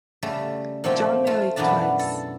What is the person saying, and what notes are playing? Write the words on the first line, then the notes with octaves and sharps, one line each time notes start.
John married twice.
C#3 G3 A3
A#2 F3 A3 C4 G5
A3 F4
F#2 B2 E3 B3 D4 A5
A4